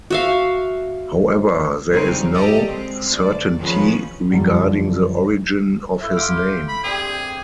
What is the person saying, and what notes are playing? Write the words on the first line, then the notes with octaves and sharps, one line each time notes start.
However, there is no certainty regarding the origin of his name.
F#4 E5 F5
C#3 F#3 G3 C4 D#4
G4 A4 A#4 D5 D#5
G#3 C4
D2 D5
D#3 F3 C#4 G#4 B4
F#2 D3 F3 G3
A3 E4
G4 F5 C6
B5
C4 D4 G4 G#4